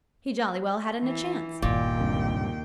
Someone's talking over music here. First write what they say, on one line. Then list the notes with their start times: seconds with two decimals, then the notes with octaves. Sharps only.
He jolly well hadn't a chance.
1.01 E3
1.62 G1 D#2 A#2 D#3 G5
1.99 C#2 G2 C3